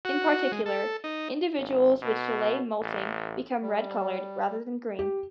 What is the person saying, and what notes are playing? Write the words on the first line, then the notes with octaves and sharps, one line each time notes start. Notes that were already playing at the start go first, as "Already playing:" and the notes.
In particular, individuals which delay moulting become red-coloured rather than green.
F#4
G#3
A4
D#4
G#1
B2
A1
G3
G4